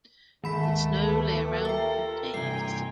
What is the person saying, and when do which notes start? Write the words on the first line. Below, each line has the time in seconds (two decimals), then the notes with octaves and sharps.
The snow lay around for days.
0.44 D2 G#2 D#3 A3 A#3 B5 B6
1.08 G4 A4 B4
1.65 F4 A#4 E5 G5
2.34 G2 C3 G5 G#5 A#5 C7